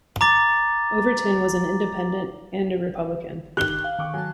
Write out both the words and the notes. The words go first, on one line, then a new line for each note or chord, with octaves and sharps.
Overton was an independent and a republican.
A#5 D6 A6
D#3 G4 F#6 G7
F5
D#3 G5 C#6 D6
F#3 G#5 A5